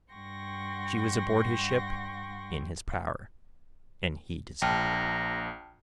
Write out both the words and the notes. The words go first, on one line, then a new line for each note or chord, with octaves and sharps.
She was aboard his ship, in his power, and he desired her.
G2 F#5 G5 C6 C#6 A#6
A#1 G5 A5 A#5 F6